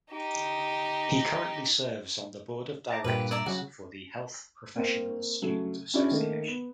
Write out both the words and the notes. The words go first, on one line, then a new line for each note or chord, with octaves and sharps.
He currently serves on the board of directors for the Health Professional Student Association.
D#4 G4
A5 A#5 D6
G2 A#2 G4 B4
D5 E5 A#5
C#3 F#3 F#4
A#3 C4
C#3 F#3 A3
C#4 D4 E4 F#4 G#4 D5
D#3 A3 A#3
B3